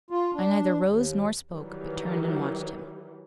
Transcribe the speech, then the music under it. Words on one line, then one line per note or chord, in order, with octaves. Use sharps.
I neither rose nor spoke, but turned and watched him.
F4
D4
D#2
D#3 E3 F#3 G3